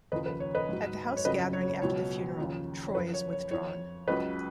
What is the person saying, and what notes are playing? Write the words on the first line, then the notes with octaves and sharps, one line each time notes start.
At the house gathering after the funeral, Troy is withdrawn.
D#2 C#3 F3 B4 D#5
B4
C#5
B4 D#5
G#2 F#3
C#5
F2 C#3 F#3 B4 D#5
C#5
C#5
C#2 B2 F#3 C#5
D#2 C#3 F3
C#5
F#2 F3 B4
C#5
C#5
F2 F3 C#5
C#2 C#3 F#3 B4 D#5